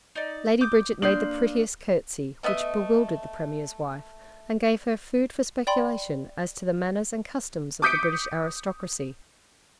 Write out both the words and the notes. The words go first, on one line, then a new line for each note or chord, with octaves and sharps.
Lady Bridget made the prettiest curtsey, which bewildered the Premier's wife and gave her food for speculation as to the manners and customs of the British aristocracy.
D#4 D5
D6 D#6 G6
A#3 D4 C6 D#6 G6 F#7
A3 B3 D#5 E5
D5 G5 B5 C6
D6 D#6 G6 B6 C#7 D7